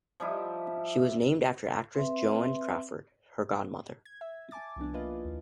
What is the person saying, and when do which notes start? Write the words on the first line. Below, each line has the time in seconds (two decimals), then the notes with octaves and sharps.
She was named after actress Joan Crawford, her godmother.
0.20 F3 G3 D#4 E4
1.95 C4 B4 E5 C6
4.05 G#6
4.21 E5
4.51 G#5 A5 D6 A6
4.76 C2 F3 B3 D4
4.93 A#3 E4 F4 B4 D#5 F5
5.25 D#2